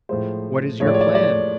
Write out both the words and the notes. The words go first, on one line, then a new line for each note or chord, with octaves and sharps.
"What is your plan?"
A2 F3 G#3 C5
A2 F3 G#3 C#5
D5
C#5
D5
C#5
D5
C#5